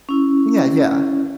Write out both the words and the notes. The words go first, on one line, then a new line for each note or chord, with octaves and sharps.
Yeah, yeah.
C#4 E4